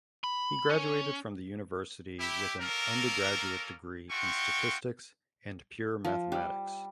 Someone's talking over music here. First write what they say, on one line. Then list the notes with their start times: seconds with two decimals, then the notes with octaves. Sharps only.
He graduated from the university with an undergraduate degree in statistics and pure mathematics.
0.24 B5
0.70 C#4
2.19 E4 G4
2.60 A#3 C#4 A4 A#4
4.10 G#3 A3 F4 F#4 G5 C#6
6.05 F3
6.32 G3